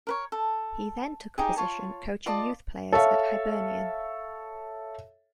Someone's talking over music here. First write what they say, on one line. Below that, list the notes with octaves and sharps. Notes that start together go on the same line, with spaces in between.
He then took a position coaching youth players at Hibernian.
A#4 B4 C#5
A4
D#4 G4 G#4
F4 C#5 A5
F4 D5 D#5 A5
A4 C#5 E5 F5